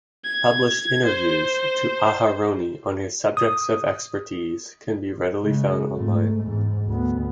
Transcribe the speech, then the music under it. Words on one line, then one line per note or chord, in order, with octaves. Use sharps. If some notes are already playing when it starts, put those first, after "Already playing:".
Published interviews to Aharoni on his subjects of expertise can be readily found online.
G#6
C5
D#6
C#3 G#3
G#2 A3
E2 G#2
D2 B3